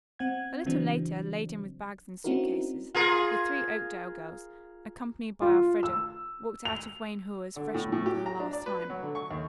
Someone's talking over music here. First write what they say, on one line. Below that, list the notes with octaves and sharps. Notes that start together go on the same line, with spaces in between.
A little later, laden with bags and suit cases, the three Oakdale girls, accompanied by Elfreda, walked out of Wayne Hall as freshmen for the last time.
C4 F#5 G#6
C#3 E3 F#3 C4 D4
C4 C#4 D#4 E4 F#4 A#4
F4 G#4 A#4
F4
E6
F7
D3
A2
A2
G4
A#5
D4
D5
B4
F#3
D3
C#6
D#2